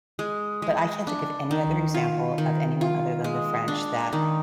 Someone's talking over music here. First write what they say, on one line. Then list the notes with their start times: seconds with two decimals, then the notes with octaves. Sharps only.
but I can't think of any other example of anyone other than the French that
0.19 G#3
0.62 G#3
1.07 D4
1.51 D#3
1.94 F4
2.38 D#3
2.81 F4
3.24 G#3
3.68 D4
4.13 D#3